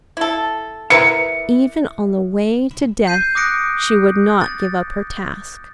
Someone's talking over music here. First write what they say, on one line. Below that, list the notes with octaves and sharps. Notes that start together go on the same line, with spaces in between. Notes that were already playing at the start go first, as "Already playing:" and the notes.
Even on the way to death she would not give up her task.
E4 A4
E4 A#4 B4 C#7
G6 C7 D#7
D6 D#6 F#6 A#6 C#7 D7
A6